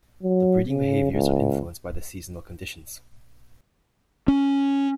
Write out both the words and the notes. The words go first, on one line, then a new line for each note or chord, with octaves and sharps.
The breeding behaviours are influenced by the seasonal conditions.
F#3
C#3
C#2
C#4